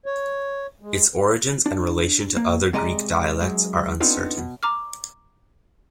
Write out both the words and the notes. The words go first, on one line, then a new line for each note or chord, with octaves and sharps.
Its origins and relation to other Greek dialects are uncertain.
C#5
G#3
D4
A#3
C3 G#3 D5 D#5 A#5
F#2 G#3
B3 C4 D4 D#4 F4 A4
B2
A#5 D6 F6